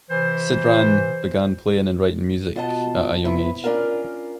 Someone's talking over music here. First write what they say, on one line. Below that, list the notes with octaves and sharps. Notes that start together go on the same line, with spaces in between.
Sidran began playing and writing music at a young age.
C3 E3 C5
B2 F4 F#4 D#5 E5 A5
C3 B3 E4
C#4 D4 F4 A#4 F5